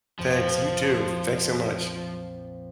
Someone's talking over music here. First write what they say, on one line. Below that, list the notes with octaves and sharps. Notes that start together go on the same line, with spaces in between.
Thanks, you too. Thanks so much.
A#1 F2 F3